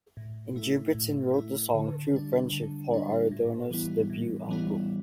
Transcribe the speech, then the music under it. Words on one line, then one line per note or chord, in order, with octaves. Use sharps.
Ingebrigtsen wrote the song "True Friendship" for Arredondo's debut album.
A2
A3 E4
A2
A3 E4
D3
G3 D4
D3
G3 D4
A2
E3 G3 B3 E4
A2
E3 G3 B3 E4